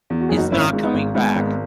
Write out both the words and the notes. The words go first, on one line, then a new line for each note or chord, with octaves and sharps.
is not coming back.
E2
F#4
F#1 G#4
D#4 F#4
G#1 C#4 E4
G#2
B3 D#4
G#1
G#2 G#3 B3
G#1